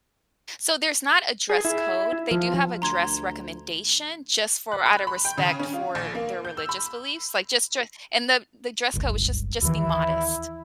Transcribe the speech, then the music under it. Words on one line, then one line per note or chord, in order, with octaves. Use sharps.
So, there's not a dress code, they do have a dress recommendation just for out a respect for their religious beliefs, like, just dre and the the dress code was just just be modest
G#4
E4
F3
D2 A#5 C6 G#6
F#6
B5
B5
G5
C#3
C#4
F4
A#1
A#3
G6
E6
B5
D1 G1 C#2
D#2 D#3 E3 E4